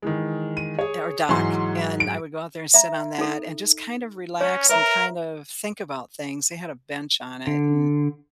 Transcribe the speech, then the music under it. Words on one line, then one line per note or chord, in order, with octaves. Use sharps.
or dock, and I would go out there and sit on that and just kind of relax, and kind of think about things. They had a bench on it and,
D#3 E3 G#3
D#7
G#4 C#5
G#2 E3 F#3 G#4 C6
D7
E5 A#5
D#4 A4
C#4 C#5
A#4 B4 E5 A#5
D3